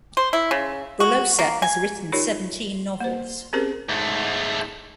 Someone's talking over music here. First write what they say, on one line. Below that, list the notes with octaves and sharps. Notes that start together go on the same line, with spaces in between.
Boullosa has written seventeen novels.
C5
E4
C#3
F#4
A#3
G#5
D#4 F4 G4 A#4 C#5 D5
A#3 C5
C4 C#4 G4 G#4 A#4 C5
G#2 A3